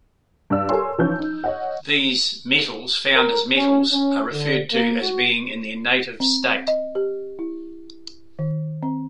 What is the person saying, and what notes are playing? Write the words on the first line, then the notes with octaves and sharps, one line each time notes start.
These "metals found as metals" are referred to as being in their "native state".
G2 D5 E6
G4 A4 A#4 C#5 G#5 C6
E3 F3 C#4 D#4 C#5 G6
D#4
C#5 D#5 F#5
A#4
C#4
C#4
D3
A#3
F#4
C4
D#5
G4
E4
D#3
C4